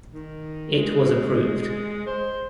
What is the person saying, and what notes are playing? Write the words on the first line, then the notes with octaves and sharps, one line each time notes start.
It was approved.
D#3
G#3
C5